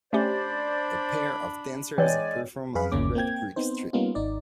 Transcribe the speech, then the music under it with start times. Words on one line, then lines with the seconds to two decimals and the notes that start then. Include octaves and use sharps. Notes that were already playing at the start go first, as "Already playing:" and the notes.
A pair of dancers perform on a red brick street.
0.13 A3 C#4 D4 G4 C5 D5 B5
1.98 E3 G#3 C#5 D5 G5 G#5
2.75 F2 G#4 B4 F5 B5
2.92 G1 D#2 C#3 A#3 C#4 D6
3.15 A#3 C4 G5 G#6
3.56 B3 C4 D#4 C5
3.93 G3 A#3 B3 C#4 D#4 F4
4.15 G#1 D#4 D5